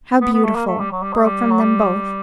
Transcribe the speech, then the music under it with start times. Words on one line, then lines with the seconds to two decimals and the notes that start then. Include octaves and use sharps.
'How beautiful!' broke from them both.
0.21 B3
0.33 B3
0.44 A3
0.55 A#3
0.67 A3
0.79 G3
0.91 F#3
1.02 G3
1.13 G#3
1.25 G3
1.50 F#3
1.60 G3